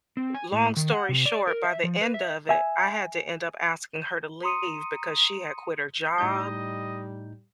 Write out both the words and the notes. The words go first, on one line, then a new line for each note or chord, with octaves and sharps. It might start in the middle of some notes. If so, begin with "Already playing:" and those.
Long story short, by the end of it, I had to end up asking her to leave because she had quit her job.
C4
G#5
A2
D#3
F#5
C3
D5
A#4
E5
F3
B4
E5
E5 G#5
A#5 C6 D#6 C#7 D#7
A2 G3 D#4 D#5 G6